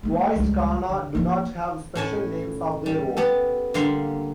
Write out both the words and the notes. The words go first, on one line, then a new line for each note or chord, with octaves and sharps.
Voiced kana do not have special names of their own.
G#3 A#3
C#2 G3
D3
F3 A#3
A2 C#4 A5
G3
B3 G4 A4
D3 G3 A#3 F5 A#5 C6